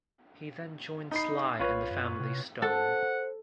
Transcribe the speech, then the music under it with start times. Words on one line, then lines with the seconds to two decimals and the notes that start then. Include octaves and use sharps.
He then joined Sly and The Family Stone.
1.11 D#4 B5 C7
1.59 B1 F4 B4 C#5
1.90 F#2
2.20 C3
2.62 A4 C5 F#5 A5